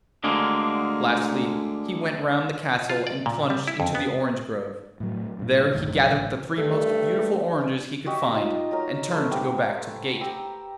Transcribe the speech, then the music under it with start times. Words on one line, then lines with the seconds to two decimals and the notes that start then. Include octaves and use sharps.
Lastly he went round the castle, and plunged into the orange grove. There he gathered the three most beautiful oranges he could find, and turned to go back to the gate.
0.24 D2 D3 G#3 A#3
2.90 F4
3.07 D5
3.26 A#2
3.50 G3
3.68 E4
3.80 F2
3.95 B3
5.00 A2 F#3
5.39 G2 A#2
5.74 B1 F#2 A2 D#3
5.93 B1 F#3
6.08 A1
6.57 G2 A3
8.06 F#4 G4 D#5 E5
8.32 D#4 F4
8.71 F#3 D#4 A#4
9.09 A3 B4 C5 F5
9.31 G4 F#5 D6
10.21 G4 A#5 E6